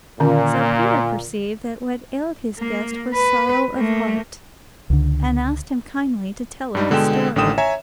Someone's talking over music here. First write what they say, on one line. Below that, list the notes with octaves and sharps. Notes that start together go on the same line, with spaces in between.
So Peter perceived that what ailed his guest was sorrow of heart, and asked him kindly to tell him his story.
A#2 D3 D#3 C#4
A#3
B4
A3 A#3
C#2 D3
G2 G3 D#4
B2 D3 G#3 B3 G5 E7
A1 D3 D#3 G5 D#6 E7
C#5 E5 G#5 A#5